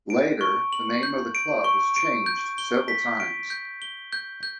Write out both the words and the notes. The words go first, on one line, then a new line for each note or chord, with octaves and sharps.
Later, the name of the club was changed several times.
D7
C#6
F#7
G6
D7
C#6
D7
G6
G7
B6
D7
G6
G7
G6
G6